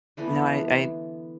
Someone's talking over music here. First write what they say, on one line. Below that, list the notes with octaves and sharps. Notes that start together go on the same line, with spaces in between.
No, I I
D3 E3 A3 B3